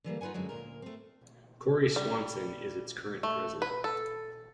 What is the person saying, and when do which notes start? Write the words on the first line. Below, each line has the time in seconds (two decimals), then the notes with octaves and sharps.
Kory Swanson is its current president.
0.04 D3 E3 G3 A#3
0.21 D#4 F4 B4 F#5 G#5
0.34 F#2 D3 F#3 G#3
0.49 D2 A#2 A#4
0.82 A3 C4
1.96 G3
3.23 A3
3.62 B4
3.84 A4